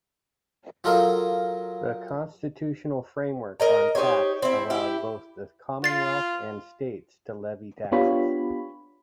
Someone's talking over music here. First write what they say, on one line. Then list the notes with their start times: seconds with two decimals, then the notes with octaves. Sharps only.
The constitutional framework on tax allowed both the Commonwealth and States to levy taxes.
0.84 F#3 F4 A4 A#4 D#5 F5
3.60 A#4 D#5 A#5
3.95 D#4 G4 C5 C#5
4.42 C4 E4
4.70 E4 G4
5.84 F4 A6 C7
7.92 B3 D4 F4 G4 C#5 B5